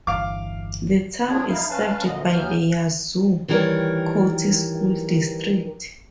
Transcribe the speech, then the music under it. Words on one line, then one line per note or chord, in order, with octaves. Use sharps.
The town is served by the Yazoo County School District.
G1 E2 F5 D6
C4 D4 F4 G#4 C#5
D#4 E4 F5
C#4 B4 F5 A5
D2 A#2 D3 D#5
D#2 E3 F#3 B3 F6 G6
D#3 E3 G3 F4 A#4 C#5